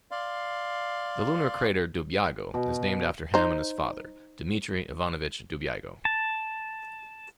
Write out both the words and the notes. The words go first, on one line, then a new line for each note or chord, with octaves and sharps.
The lunar crater Dubyago is named after him and his father, Dmitry Ivanovich Dubyago.
D5 F5 C6
B2
D#4 C5
A5